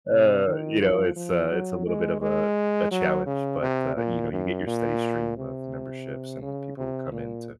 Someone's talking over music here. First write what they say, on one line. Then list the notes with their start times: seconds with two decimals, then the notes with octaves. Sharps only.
uh, you know, it's, uh, it's a little bit of a a challenge, but, uh, you know, you get your steady stream of memberships and people come in to,
0.11 C3
0.46 D#3
0.81 F3
1.16 F3
1.51 F#3
1.86 G#3
2.21 G#3
2.91 F#3
3.26 C#3
3.62 C3
3.96 A#2
4.32 F#2
4.67 A#2
5.37 C3
6.42 C#3
6.77 C3
7.12 A#2